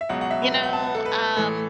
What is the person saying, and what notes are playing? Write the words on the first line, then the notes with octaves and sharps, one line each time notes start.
You know, um
E5
C#2 B2 F#3 F#5
F#5
E5
B4
B4
F#5
A5
A4
B4
A2 E3 A4